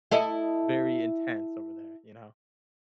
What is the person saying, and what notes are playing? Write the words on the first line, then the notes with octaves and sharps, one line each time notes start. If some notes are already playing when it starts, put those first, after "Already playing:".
very intense over there, you know?
E4 A4 D#5